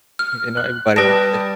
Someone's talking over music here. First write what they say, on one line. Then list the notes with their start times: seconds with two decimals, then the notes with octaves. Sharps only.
If You know, everybody has to
0.19 F6
0.57 F#6
0.96 G3 B4 A5 D#6 A#6 D7